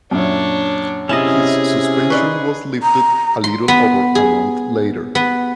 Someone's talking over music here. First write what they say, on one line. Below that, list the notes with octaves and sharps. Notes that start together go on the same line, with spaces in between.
His suspension was lifted a little over a month later.
F#2 A#2 D4 C#5 E5
C3 C#4 E4 G#4 D#5 A5
D#4 B4 D5 C6 C#6
A#5
C6
B3
G#4
B3